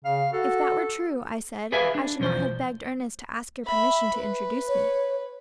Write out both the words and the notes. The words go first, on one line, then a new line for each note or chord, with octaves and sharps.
"If that were true," I said, "I should not have begged Ernest to ask your permission to introduce me."
C#3 F5
F#4 A4
G4 G#4 B4 E5 F5 G#5
D4
B1 E2 F3 C5
E5 B5
B4
C#5